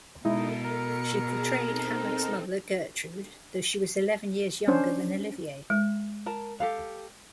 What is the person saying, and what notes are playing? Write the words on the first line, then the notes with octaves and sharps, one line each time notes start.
She portrayed Hamlet's mother, Gertrude, though she was eleven years younger than Olivier.
B2 G#3 D#4 E4 A4 A#4
A#4 C#7
G#4 A5 A#5
C4 D#4 A4
C#4 D4 C5
G#3
A#4 A5
G4 A4 F5